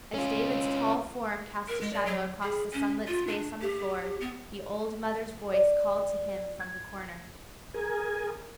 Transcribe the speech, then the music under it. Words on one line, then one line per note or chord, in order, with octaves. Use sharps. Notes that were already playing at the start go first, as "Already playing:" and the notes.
As David's tall form cast a shadow across the sunlit space on the floor, the old mother's voice called to him from the corner.
C#4 F4
A#4
G#3
D5
F#3
G#4
C#4
F4
D4
G4
B3
D5
G#6
G#4 A#4 G#5